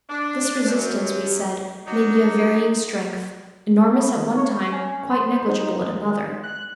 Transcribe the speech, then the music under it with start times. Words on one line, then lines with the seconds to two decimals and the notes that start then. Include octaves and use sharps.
This resistance, we said, may be of varying strength, enormous at one time, quite negligible at another.
0.09 D4
0.67 F#2
1.86 F#3 D4 D#4
3.93 B3
4.16 D#3
4.37 C#5
4.72 C#4
5.11 C5
5.48 D#4
6.00 D#3
6.43 F#6